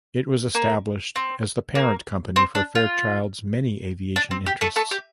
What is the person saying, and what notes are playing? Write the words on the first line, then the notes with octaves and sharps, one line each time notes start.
It was established as the parent company for Fairchild's many aviation interests.
A#3
C4
A#3
C4
D4
F4
D4
C4
G4
A3 A4
A3 A4
G4